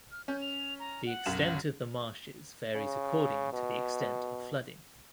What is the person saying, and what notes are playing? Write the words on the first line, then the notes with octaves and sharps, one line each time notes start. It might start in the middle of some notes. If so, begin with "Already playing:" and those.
The extent of the marshes varies according to the extent of flooding.
F6
C#4 G6
F7
A#5
F#5
B1 F#2 E7
C#3
B2